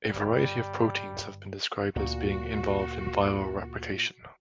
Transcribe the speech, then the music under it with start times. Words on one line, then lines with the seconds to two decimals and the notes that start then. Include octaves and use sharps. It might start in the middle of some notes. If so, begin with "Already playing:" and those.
A variety of proteins have been described as being involved in viral replication.
0.14 G1 G2 G3
1.96 D2 A#2 F#4